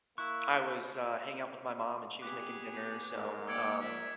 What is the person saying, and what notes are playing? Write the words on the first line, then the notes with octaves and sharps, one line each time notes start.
I was, uh, hanging out with my mom and she was making dinner, so, um,
A#3 E4 C#6 F#6
B3 G4 G#4 D6 F#6
G#2 A3 A#4
A#3 D5 G5 E6 G#6 C#7
F3 A#4 D5 E5